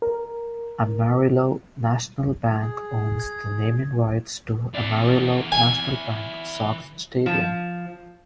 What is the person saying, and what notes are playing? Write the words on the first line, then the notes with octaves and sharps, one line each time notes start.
Amarillo National Bank owns the naming rights to Amarillo National Bank Sox Stadium.
A#4
G#4
G#6
E3 D5
G#5
F3